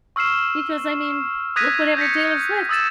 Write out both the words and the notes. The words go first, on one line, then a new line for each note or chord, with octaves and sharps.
because I mean, look what happened to Taylor Swift.
C#6 E6 F6 C7 E7
D#6 F#6 G#6 A#6 B6 D#7
G6 A#6 B6 C#7
D#6 E6 A6 E7